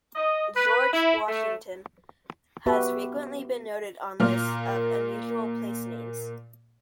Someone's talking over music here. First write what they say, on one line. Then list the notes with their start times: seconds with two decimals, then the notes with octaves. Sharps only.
George, Washington has frequently been noted on lists of unusual place names.
0.15 D#5
0.56 B4
0.92 E4
1.29 A3
2.66 B3 F#4 G4 B4 E5
4.20 A#2 A#3 F6